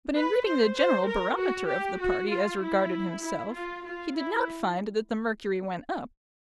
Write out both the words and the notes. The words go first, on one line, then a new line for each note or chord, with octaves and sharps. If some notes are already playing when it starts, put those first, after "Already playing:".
But in reading the general barometer of the party as regarded himself, he did not find that the mercury went up.
B4
C5
C5
A#4
F#4
G4
F#4
F4
E4
E4
F4
F4
E4